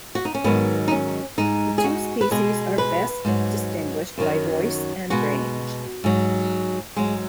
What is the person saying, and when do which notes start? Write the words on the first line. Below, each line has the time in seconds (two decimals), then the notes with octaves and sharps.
The two species are best distinguished by voice and range.
0.15 F#4
0.25 D#4
0.35 C#4
0.44 G#2 D#3 F#3 B3
0.88 D#4
0.91 C#4
1.38 G#2 G#3 D#4
1.78 G#4
1.84 F#4
2.21 B4
2.31 B2 G#3 G#4
2.78 B4
3.25 G#2 F#3
4.18 F#2 D#3 F#3
5.10 B2 G#3 F#4
6.04 G#2 F#3
6.97 G#2 F#3 G#3